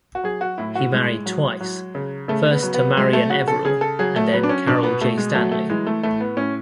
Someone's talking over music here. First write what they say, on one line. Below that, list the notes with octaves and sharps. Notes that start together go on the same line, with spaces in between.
He married twice, first to Marian Everall and then Caryl J. Stanley.
F#4
F#3 G#4
F#4
A2 E4
F#4
A2 G#3
F#3
F#3
C#3
C#3 A3
B3
F#3
B3
F#3 G#3
A3
C#3 F#4
A4
C#3 G#4
A4
F#3 G#4
A3
F#3 B3
D4
C#4
B2 D4
B3
B2 A3
G#3
F#3 A3
A3
E3 G#3
A3
A2 A3
B3
A2 C#4